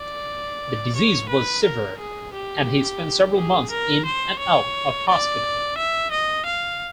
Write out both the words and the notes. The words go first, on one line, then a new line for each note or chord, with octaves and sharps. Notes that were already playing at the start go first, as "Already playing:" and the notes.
The disease was severe and he spent several months in and out of hospital.
Already playing: D5
C#5
B4
A#4
G#4
G4
G#4
A#4
C5
C#5
D5
E5
D#5
F5